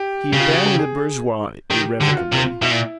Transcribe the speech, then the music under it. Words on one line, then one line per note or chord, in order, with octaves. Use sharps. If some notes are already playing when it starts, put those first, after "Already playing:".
He abandoned the bourgeoise irrevocably.
Already playing: G4
C#3
F4
F#4
G4
G#4
D#3 G4
D3 G4
F#4
F4
C3
B2 E4
A#2